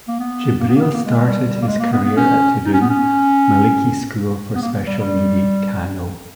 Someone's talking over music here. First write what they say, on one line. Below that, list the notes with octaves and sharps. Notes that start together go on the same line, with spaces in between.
Jibril started his career at Tudun Maliki School for special needy Kano.
A#3
B3
A#3
B3
A#3
B3
A#3
G#3
G#3
G3
G3
A#3
G#3
A#3
B3
B3
C#4
D#4
C#4
B3
C#4
B3
A#3
G3
G3